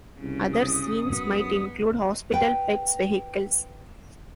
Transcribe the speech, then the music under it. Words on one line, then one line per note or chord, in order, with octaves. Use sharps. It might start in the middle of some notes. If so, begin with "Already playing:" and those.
Other scenes might include hospital, pets, vehicles.
C2 C#3
D#6
F#2 B3
B4 G5